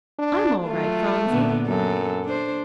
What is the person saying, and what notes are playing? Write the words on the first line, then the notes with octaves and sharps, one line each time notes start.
I'm all right, Phronsie.
D4
F#3 A3 F4
A#2 D3 B3
F#2 F#3 A4
D4 C5